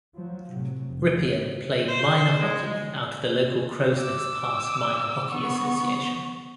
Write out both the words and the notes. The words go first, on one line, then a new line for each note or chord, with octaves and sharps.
Rypien played minor hockey out of the local Crowsnest Pass Minor Hockey Association.
F3 F#3
A2 C3 F#3
F1
C5
G#3
D6 E6
B3 C#6